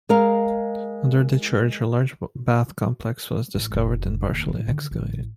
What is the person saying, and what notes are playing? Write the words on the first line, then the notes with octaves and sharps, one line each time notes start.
Under the church, a large bath complex was discovered and partially excavated.
G#3 A#4 F5
A1
F1 F2
F1 D#2
A2 C#4
D3 D#3
A1